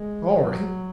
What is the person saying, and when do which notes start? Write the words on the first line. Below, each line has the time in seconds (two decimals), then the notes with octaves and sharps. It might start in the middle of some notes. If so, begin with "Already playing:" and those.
'All right.
Already playing: G#3
0.34 F#3